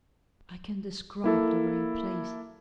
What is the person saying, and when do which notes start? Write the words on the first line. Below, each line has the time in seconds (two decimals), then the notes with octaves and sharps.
I can describe the very place.
1.24 A#3 E4 A4